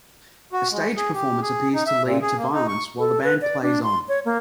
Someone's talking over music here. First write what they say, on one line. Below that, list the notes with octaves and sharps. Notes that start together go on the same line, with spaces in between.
A stage performance appears to lead to violence while the band plays on.
F#4
G#3
G#4
G4
G#4
D#4
E5
A#2
G#4
A#3
D#4
C#6
A4
B4
D5
D4
C6
C#5
A#3